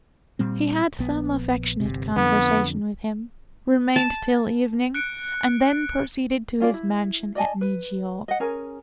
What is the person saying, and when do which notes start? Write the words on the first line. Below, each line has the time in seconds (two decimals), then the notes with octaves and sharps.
He had some affectionate conversation with him, remained till evening, and then proceeded to his mansion at Nijio.
0.39 A#2 G3 C4
0.99 A#1 B3
1.80 G1 C3
2.16 F2 D3 B3
3.96 A5
4.94 F#6 C#7 D7
6.60 C#4 F4 D5
6.74 E4
7.35 D5 D#5 G#5 A5
7.61 B4
8.28 D#5 F#5
8.40 C#4 G#4 A#4 G#5